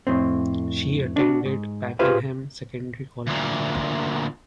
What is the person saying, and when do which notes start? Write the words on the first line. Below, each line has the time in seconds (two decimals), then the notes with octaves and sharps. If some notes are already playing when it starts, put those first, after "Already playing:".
She attended Pakenham Secondary College.
0.07 F2 A2 C4
1.16 D4 F#4
1.46 G#2
1.99 F4 G4 G#4 B4 C5 F5
3.27 D2 A#2